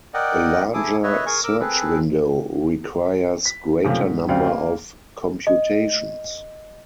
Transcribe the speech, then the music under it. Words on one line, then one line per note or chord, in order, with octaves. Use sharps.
A larger search window requires greater number of computations.
A#4 D5 D#5 F#5 G5
E4 G#4 A4 D6 D#6
B4 C#5 D#5 E5
G#4 A#4 G#5 C#6
A#4 D6 E6
C4 G#4 A4 B4
B6
F#2 C3 F3 A3 A#3
G#2
D2 C4 G4 D5 F5
A#3
D#5